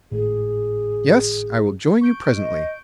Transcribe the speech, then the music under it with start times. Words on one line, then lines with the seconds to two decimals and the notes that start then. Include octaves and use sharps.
"Yes, I will join you presently."
0.11 G#1 A2 G#4
2.01 C#6 G6 D7
2.35 D#5